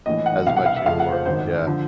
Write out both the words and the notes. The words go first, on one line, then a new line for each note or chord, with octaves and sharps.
as much anymore. Yeah.
A#1 A2 E3 D#5
F#5
C2 B2 F5
F#5
F5
E5
F1 F2 C#3 F3 F5
F#5
C5
G#1 F#2 D#3 C5
D3 F3